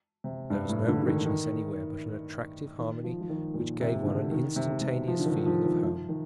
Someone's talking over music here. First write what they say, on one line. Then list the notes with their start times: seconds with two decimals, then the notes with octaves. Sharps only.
There was no richness anywhere, but an attractive harmony which gave one an instantaneous feeling of home.
0.24 C3
0.50 G2
0.69 A2
0.88 D3
1.02 D3
1.07 D#3
1.26 D#3
2.79 D#3
3.04 F3
3.21 F3
3.30 D#3
3.54 A#2
3.80 C3
4.05 D3
4.31 D#3
4.56 C3
4.81 C3
5.08 F3
5.20 D3
5.26 D#3
5.46 F3
5.64 D#3
5.83 F3
6.09 D#3